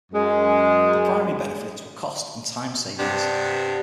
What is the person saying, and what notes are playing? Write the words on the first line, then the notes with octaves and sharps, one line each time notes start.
The primary benefits were cost and time savings.
F#2 G#3
G2 C3 B3 D4